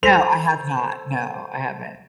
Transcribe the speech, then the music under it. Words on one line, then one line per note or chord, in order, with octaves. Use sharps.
No, I have not. No, I haven't.
A4 C5 F7